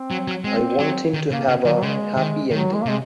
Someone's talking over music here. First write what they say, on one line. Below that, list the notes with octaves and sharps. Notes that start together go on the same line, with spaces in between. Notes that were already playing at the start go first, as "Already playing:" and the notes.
I want him to have a happy ending.
Already playing: C4
F#3
F#3
G#3 C4
F#3
D#3
C#3 A#3
C#3
D#3 F#3
F#3
C#3 G#3
D#3
D#3 F#3
G#3
A#3
C3 G#3